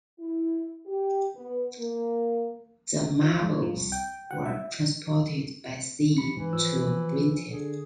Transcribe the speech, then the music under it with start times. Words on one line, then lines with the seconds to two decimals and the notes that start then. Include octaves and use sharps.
The Marbles were transported by sea to Britain.
0.19 E4
0.86 G4
1.35 B3
1.78 A#3
3.21 F3
3.42 G#2
3.62 F3
3.77 C2
3.92 G5
4.31 F#5
4.46 E5
6.17 C3 B5 C#7
6.37 G#2 E3
6.53 F3 E6
7.51 D3 G#4